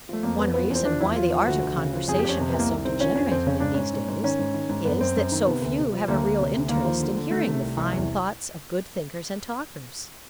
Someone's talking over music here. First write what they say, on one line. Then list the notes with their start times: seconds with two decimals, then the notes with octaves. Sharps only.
One reason why the art of conversation has so degenerated in these days is that so few have a real interest in hearing the fine thoughts of good thinker and talkers.
0.09 F3 A3
0.23 F2 A#3
0.39 F2 B3
0.54 F3 B3
0.65 B3
0.70 E2 C4
0.85 F3 D4
1.00 E2 E4
1.16 F3 F4
1.32 F3
1.46 D2 F#4
1.63 D2
1.77 C#3
1.93 F3
2.08 F2 G#4
2.19 G4
2.24 F2 C#4
2.40 C3
2.50 B3
2.54 C2
2.59 A#3
2.70 C2
2.85 D#3 C4
3.00 F3 C#4
3.16 F2 C#4
3.31 F2 C4
3.47 C#3 C#4
3.60 G#2 D4
3.74 G#2 C#4
3.93 G#2
4.08 G#2
4.23 D#3 C#4
4.39 G#2
4.54 D#3
4.69 G#2
4.85 F#2 B3
5.01 F#2 C4
5.16 F#2
5.32 D#3
5.47 C3 B3
5.62 D2
5.78 C3
5.93 F3
6.08 D2 A#3
6.23 D2
6.39 C3
6.54 D2
6.69 D#2 A#3
6.85 F3
7.00 D3
7.16 D3
7.31 D#3 A3
7.47 C3
7.62 C2
7.77 C2
7.92 E2